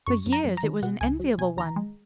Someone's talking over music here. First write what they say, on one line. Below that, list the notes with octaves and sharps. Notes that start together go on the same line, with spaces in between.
For years it was an enviable one.
F#2 C#6
F#2
A#5
F#2
A#5
D#3
B2 F#5
C#2 G#5
F#3
B2 G#5
D#2 A#5
G#3